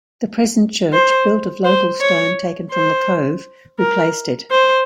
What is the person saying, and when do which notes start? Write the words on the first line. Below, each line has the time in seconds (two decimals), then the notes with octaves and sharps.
The present church, built of local stone taken from the cove, replaced it.
0.93 C5
1.65 C5
2.01 C#5
2.72 C5
3.79 A#4
4.51 C5